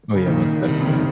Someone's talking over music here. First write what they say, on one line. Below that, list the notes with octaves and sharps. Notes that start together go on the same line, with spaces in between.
Oh yeah, most definitely.
C#3
A#2 D#3
C3 G3
D#3
C#3
D#3